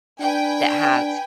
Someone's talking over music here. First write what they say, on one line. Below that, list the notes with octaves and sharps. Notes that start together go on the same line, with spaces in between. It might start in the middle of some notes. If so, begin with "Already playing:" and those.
that have
D4 B4 G5 G#5